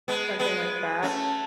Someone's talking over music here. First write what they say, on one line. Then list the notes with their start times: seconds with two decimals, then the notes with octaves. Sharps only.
something like that
0.08 G#3 B3
0.39 G#3 B3
1.02 A3 C#4